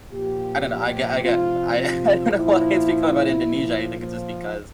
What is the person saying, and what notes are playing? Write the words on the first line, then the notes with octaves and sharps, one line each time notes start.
I don't know. Ag again, I I don't know why it's become about Indonesia. I think it's just because
A#2 F3 G4
C3 F3 F4
F4
A#2 F3 E4
A#2 F3
F3